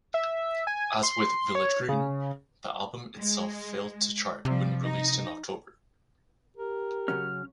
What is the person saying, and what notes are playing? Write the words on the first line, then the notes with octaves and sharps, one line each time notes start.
As with "Village Green", the album itself failed to chart when released in October.
E5
G#5
C6
C#5
C#3
G#3
C3 F3 G3
D#4
G4 A#4
C#3 F#3 C#4 F6